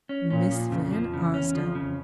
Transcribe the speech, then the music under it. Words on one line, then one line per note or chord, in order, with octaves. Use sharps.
"Miss Van Arsdale!"
C#4
A#2 C#4
F3
F2 C#3
F3
E2 C#3
C#4
F2 F3
C#3